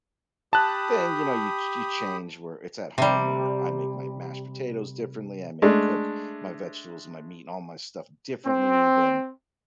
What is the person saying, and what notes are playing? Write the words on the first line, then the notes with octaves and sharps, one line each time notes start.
thing, you know, you you change where it's at home where I make my mashed potatoes differently, I may cook my vegetables and my meat and all my stuff differently than
G4 A5 B5 D#6 F#6
C3 G3
G#3 A3 D4
C4